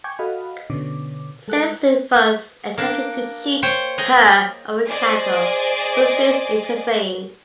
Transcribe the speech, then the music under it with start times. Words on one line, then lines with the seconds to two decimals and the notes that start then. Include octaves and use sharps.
Sisyphus attempted to cheat her of her cattle, but Zeus intervened.
0.04 G5 G#5 C#6 D6 G6 G#6
0.19 F#4 A4 D#5 F5 B5
0.70 B2 D3 C#4 D6
1.48 G#3 A4 F#6
2.78 A#3 D4
3.63 C5 C#5 G5
3.98 G#4 D#5 G5 A#5
4.87 G#4 C5 D5 D#5